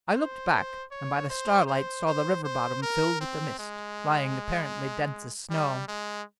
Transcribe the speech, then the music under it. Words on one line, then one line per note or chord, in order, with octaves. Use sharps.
I looked back, and by the starlight saw the river bottom filled with the mist, lying apparently dense as snow.
C5
C#5
C5
C5
C5
C5
A#4
C4
G#3
G3
G#3